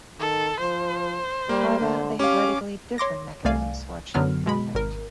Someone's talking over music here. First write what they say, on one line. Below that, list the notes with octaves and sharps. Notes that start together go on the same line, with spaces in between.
However, they have radically different mechanisms for achieving the effect.
D#3 A4
F3 C5
G3 A#3
D3
C#4 G4 F5 D6
C#5 C6 D6 A#6
C2 A3 D5 F5 G#5
F#2 D3 F#3 B3 F6
B2 G#3 B5
G#1 A#4